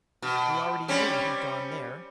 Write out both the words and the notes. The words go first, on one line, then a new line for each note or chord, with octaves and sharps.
"We already knew he'd gone there."
B2
G3 C4 C#4